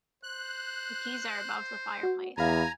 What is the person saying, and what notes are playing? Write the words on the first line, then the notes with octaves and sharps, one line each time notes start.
The keys are above the fireplace.
C5 F#6
F#4
E2 F5 G#5 A#5 B5 G#6